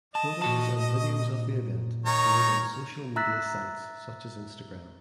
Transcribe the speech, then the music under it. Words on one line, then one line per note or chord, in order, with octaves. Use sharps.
Photos and videos of the event appeared on social media sites such as Instagram.
D#5 A5
A#2 F#4 A5
D#3 C#5 A#5
E5 A#5 E6 F#6 A6 B6